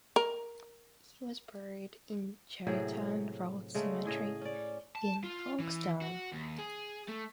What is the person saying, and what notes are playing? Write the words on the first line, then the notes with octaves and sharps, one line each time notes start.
He was buried in Cheriton Road Cemetery in Folkestone.
A#4
A2 C3 F#3 G#4
C#3 G#3 A3
A2 G#4 D#5
C#4 D5
A5
F4
E3
F#4
D#2
G#4
A3